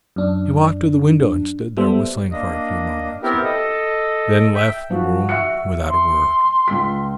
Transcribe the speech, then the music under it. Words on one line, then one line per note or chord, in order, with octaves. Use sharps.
He walked to the window and stood there whistling for a few moments, and then left the room without a word.
F#2 D4
G3 B3 A4 C5 E5
A#3 D4 D#5
B3 C4 E4 G4 A#4
A4 D#5
E5 G5
F3 F#4
E5 F#6 C#7
C6
C#2 B6